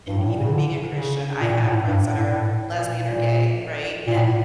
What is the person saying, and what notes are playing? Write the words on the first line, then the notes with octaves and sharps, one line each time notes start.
and even being a Christian, I have friends that are lesbian or gay, right? And,
G2
A2
A#2
C#3
D3
C#3
A#2
A2
G2
A2
A2
A#2
A#2
A#2
A2